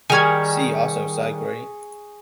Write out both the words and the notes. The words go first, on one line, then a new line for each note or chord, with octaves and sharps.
See also: sidegrade.
D#3 G3 G#4 G#5 C#6 F6 G#6